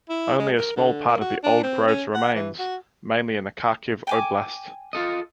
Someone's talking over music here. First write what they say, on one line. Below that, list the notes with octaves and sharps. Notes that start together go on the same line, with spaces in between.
Only a small part of the old groves remains, mainly in the Kharkiv Oblast.
E4
G#3
A#4
D3
A#3
F#4
D4
C4
C#4
F#5
E3
F#4
G5 G#5 D6
F4 A4 D#5